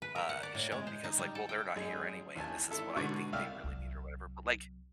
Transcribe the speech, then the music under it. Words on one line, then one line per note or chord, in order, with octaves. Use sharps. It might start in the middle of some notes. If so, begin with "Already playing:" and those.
uh, shown because, like, well, they're not here anyway, and this is what I think they really need or whatever. But, like
B4
A#4
F#5
D5
A2
G#3
C5
D#4
G3
A4
G5
G#1 F#2 G#4 D#5
A1 D#2 G#5 A5
G#1 E4 A4 E5
G#2 B2 D3 C#6 D6
C2 D5 E5 F5 G5 F6
C2 F#3